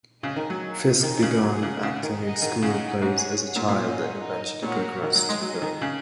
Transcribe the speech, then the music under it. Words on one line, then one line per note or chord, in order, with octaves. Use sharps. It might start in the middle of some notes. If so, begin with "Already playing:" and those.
Fisk began acting in school plays as a child and eventually progressed to film.
C#3 G#4 D#5 G#5
D#3
F#3
A#3 D#4 G#4
D#3 A#3 C#4 G#4 D#5
C#3
F#3 G#4 F#5
C#3
C#3 G#4 F#5
D#3
D#4 G#4 D#5 F#5
D#3
C#3 D#4 G#4 D#5 F#5
G#2 C#4 G#4 C#5 F#5
G#4 F#5
A#2
A#2
C#4 G#4 D#5 F#5
D#4 A#4 D#5
A#2 F#4 A#4 C#5 F#5
D#3 D#4 A#4 F#5
F#3
G#3
F#3 D#4 G#4 D#5
D#3
C#3